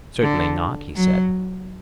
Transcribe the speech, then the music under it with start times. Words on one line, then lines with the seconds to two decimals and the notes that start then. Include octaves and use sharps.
Certainly not, he said.
0.22 D3
0.96 F#3